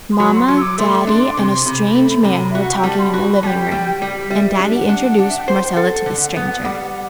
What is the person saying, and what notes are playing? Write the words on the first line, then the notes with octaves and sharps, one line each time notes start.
Mama, Daddy and a strange man were talking in the living room and Daddy introduced Marcella to the stranger.
C6
F#3 B5
C6
F#3
E6
D6
A3 C6
D4
C6
D6
C3 C6
C3 B5
A3
C3
F#4 E5
F#5
G5
G3 A5
C6
B5
F#4
G3 G5 A5
G3
G3
G3 E5
D4
E5
F#5
D4
D4 F#5
E5
G5
F#5
C5
G5
F#5
A4
D3
B3
G3